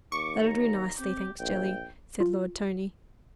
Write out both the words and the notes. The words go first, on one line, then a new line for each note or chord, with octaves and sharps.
"That'll do nicely, thanks, Jelly!" said Lord Tony.
D#2 C#6 D6
A#5
C4 G4
A#1 G5
F4